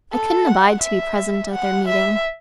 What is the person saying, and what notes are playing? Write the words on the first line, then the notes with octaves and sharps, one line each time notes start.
I couldn't abide to be present at their meeting.
A4
F#5
E5
F#5
E5